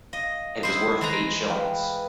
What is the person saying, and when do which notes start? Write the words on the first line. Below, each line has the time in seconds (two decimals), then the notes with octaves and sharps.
It was worth eight shillings.
0.13 D#5 F5
0.63 E4 C5 D#5
1.01 E3 G#3 A#5
1.48 B4 F5 G5